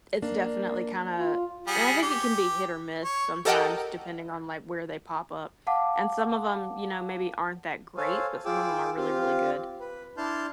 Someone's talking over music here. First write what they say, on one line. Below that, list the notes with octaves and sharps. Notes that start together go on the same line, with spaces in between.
it's definitely kinda and I think it can be hit or miss sometimes depending on, like, where they pop up, and some of 'em, you know, maybe aren't that great, but some of 'em are really, really good.
A#3 D4
F4
G3 G#4 F#5
G4
C#5
G4 A4 A#4 D#5 F#5 G5
F5 F#5 A5 D6
A4 C5 C#5 F5 G#5
F4 G#4 G5 D6 E6
C4 F4 G4 F5
B4
D4 E4 A5 C6 F6 G6